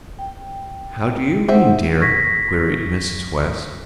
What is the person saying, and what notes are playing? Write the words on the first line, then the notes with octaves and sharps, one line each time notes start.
"How do you mean, dear?" queried Mrs. West.
G5
C4 D#4 E5 F#5
C#6 G#6 A#6 B6